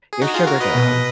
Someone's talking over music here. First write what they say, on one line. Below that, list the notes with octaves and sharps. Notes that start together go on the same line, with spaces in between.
your sugar down.
G#4
D#4 F#4
F4 G#4
F#4 A#4
B4 D#5
B2